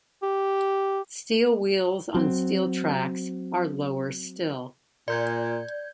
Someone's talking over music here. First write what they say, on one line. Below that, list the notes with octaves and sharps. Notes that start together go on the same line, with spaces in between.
Steel wheels on steel tracks are lower still.
G4
F#3 C4
A#2 D5 G6 G#6